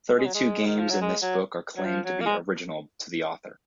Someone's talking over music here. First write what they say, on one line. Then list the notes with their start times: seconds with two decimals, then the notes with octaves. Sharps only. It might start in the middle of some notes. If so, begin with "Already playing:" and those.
Thirty two games in this book are claimed to be original to the author.
0.18 G#3
0.26 F#3
0.35 G#3
0.67 D#3
0.79 F3
0.90 F#3
1.01 G#3
1.22 F#3
1.77 F#3
1.85 F3
2.06 F#3
2.21 A#3
2.26 G#3